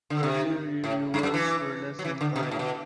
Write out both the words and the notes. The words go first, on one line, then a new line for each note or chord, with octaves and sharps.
Early reviewers were less than kind.
D3
C3
A2
G2
F#2
E3
F#3
E3
D3
C3
B2
A2
B2